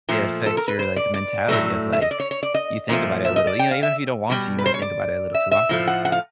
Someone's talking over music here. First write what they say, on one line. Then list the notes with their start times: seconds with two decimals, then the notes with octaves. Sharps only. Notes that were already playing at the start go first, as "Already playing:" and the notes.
it affects your, like, mentality of, like you think about it a little, you know, even if you don't want to, you might think about it a little too often.
0.09 A#2 F3 A3
0.46 A4
0.57 A#4
0.68 B4
0.79 C5
0.96 D5
1.14 D5
1.49 A2 F#3 A3
1.93 E5
2.02 D#5
2.11 D5
2.20 C#5
2.31 C#5
2.43 D5
2.54 D#5
2.89 A#2 F3 A3
3.25 E5
3.36 D#5
3.47 D5
3.59 G5
3.71 F5
3.83 E5
4.30 B2 G3
4.59 B4
4.66 C5
4.74 C#5
4.82 D5
5.34 E5
5.51 E5
5.69 A2 F3 A3
5.87 F#5
6.05 F#5
6.12 F5